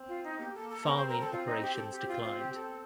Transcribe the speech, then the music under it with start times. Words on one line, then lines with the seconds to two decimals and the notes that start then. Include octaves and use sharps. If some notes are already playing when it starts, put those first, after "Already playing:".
Farming operations declined.
Already playing: C4
0.08 F4
0.24 D#4
0.39 A#3 G4
0.54 A4
0.70 A4
0.85 C4 A#4
0.96 C5
1.08 A#4
1.20 A4
1.32 F4
1.47 D#4
1.62 G4
1.77 A4
1.92 G4
2.08 F4
2.23 C4 F4
2.39 G4
2.54 A4